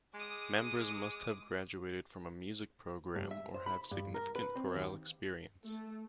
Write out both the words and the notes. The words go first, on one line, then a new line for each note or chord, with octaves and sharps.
Members must have graduated from a music program or have significant choral experience.
G#3 D6 D#6
G2
E5
C5
B5
G2
A#4
B4
C4
D#2
A3